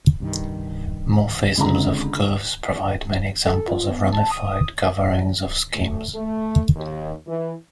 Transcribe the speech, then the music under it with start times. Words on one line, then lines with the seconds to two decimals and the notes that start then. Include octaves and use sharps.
Morphisms of curves provide many examples of ramified coverings of schemes.
0.20 C2 G2 D#3
1.57 C#2 D3 G#3 C4 A#5
3.45 A4
3.68 F4
3.90 B3
4.13 A5
4.31 D#6
5.74 A3
6.14 A3
6.75 D#2
7.27 E3